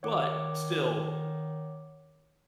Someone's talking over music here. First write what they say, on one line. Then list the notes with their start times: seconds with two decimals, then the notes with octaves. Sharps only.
but still,
0.03 D#3 C#5 F#5 D6